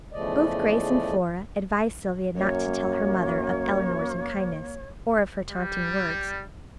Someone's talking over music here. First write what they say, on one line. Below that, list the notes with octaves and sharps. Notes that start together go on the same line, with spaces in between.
Both Grace and Flora advised Sylvia not to tell her mother of Elinor's unkindness, or of her taunting words.
E2 C#3 F3 A3 D5 D#5
F#2 A#3 C#5
G3